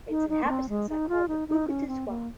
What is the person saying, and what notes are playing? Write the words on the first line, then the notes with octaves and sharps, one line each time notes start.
Its inhabitants are called the Bouquetotois.
D#4
D#4
A#3
C4
G#3
D#4
F4
D#4
D#4
C#4
C4
A#3